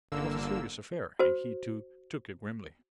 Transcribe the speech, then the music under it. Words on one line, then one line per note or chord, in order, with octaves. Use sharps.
It was a serious affair, and he, too, took it grimly.
G1 D3 A#3 E6
F#4 C5